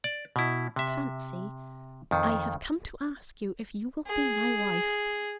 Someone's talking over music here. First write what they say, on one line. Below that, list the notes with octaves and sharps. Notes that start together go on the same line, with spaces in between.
"Fancy, I have come to ask you if you will be my wife?"
D5
B2 E4
C3 E5
F2 D#3
G#4